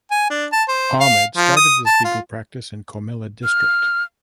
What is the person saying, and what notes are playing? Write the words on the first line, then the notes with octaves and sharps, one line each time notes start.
Ahmed started his legal practice in Comilla District.
G#5
D4
A5
C5
F5
F3
D#6
A5
F4
F6